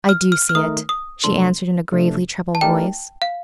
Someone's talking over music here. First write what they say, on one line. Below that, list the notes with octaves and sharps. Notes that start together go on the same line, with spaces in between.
"I do see it," she answered in a gravely troubled voice.
F6
F6
F6
D#3 A3 D#4 A#4 D#6
D#6
C3 F3 A3 D4 A4 C6
C3 F3 A3 D4 A4
A5
A3 D#4 G4 A#4 D5 G5
F5